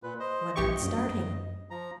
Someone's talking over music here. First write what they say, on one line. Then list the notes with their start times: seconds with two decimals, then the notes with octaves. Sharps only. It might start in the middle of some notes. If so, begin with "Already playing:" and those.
"When art starting?"
0.03 A#2 B4
0.20 C5 D#5
0.56 A#1 G2 G4 D#5 C#6
0.82 F#2
1.70 F3 A#5